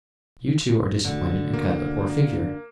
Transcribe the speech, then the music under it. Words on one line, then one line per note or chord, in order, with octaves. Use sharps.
You, too, are disappointed and cut a poor figure.'
D2 D3
A#3